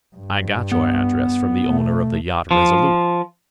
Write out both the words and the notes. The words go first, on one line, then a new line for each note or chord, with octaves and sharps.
I got your address from the owner of the yacht Resolute.
G2
B3
B2 A3
F3